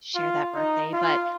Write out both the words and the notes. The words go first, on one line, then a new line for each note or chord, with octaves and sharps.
share that birthday, but
F4
D#4
F4